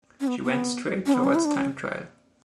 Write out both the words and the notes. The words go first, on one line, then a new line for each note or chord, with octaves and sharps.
She went straight towards time trial.
C#4
B3
B3
C#4
B3
C#4
E4
D4
C#4